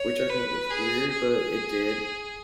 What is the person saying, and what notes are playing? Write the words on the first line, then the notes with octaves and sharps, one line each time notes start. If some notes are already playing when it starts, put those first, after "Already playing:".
which I thought was weird, but it did.
Already playing: C#5
B4
G#4
G#4